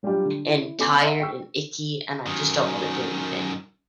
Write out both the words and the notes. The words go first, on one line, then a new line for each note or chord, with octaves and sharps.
and tired and icky, and I just don't wanna do anything.
F#3 G3 D4 F4 G4
D3
E4
B3 C#4 A4 G#5 D6
D#5 E5 F#5 A#5 C6 E6
G5 C#6 E6
F#2 D#3